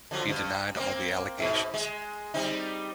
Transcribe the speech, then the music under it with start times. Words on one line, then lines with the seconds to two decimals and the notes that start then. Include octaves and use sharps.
He denied all the allegations.
0.11 D3 F3 F#3
0.28 G2
0.76 A#3 C4
1.38 G#2 B2
1.74 G#3
2.34 G3 C4 D#4